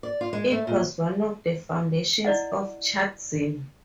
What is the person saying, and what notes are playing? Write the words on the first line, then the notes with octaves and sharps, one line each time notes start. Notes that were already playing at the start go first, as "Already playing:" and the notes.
It was one of the foundations of Chartism.
D5
F4
G#3
A3
A#2
E4 D5 D#5 F#5